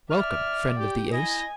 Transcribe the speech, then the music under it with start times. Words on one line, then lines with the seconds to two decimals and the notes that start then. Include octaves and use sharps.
"Welcome, Friend of the Ace."
0.11 D5 E5 F6
0.80 G4 G5
1.13 E4 D#5 G#5